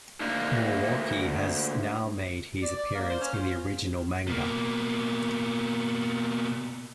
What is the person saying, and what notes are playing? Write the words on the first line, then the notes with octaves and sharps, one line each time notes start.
Moriwaki has now made his appearance in the original manga.
D2 A#3
D5
D5
A#3
C5
C#4
F4
B2 A#3